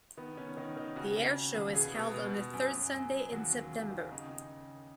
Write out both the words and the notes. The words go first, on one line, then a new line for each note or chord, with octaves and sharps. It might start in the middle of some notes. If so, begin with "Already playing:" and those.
The air show is held on the third Sunday in September.
D#3 B3
D#3 C#4
D#3 D#4
D#3 D#4
C#3 F#4
C#3
C#3
D#2
B2 G#4
B2
B2
B2
F#2
F#2
F#2
F#2
D#2 F#4
D#2
D#2
D#3
C#3 D#4
C#3